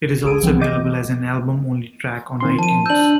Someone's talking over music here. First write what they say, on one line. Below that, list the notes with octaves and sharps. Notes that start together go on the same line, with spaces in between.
It is also available as an album-only track on iTunes.
G#1 C#2 G#4 A4 D7 D#7
C2 E3 F3 B3 C4
D#5 D6 G6 D#7
D#3 C4 C6
F3 A5 D#7
D4 E6 G6 F#7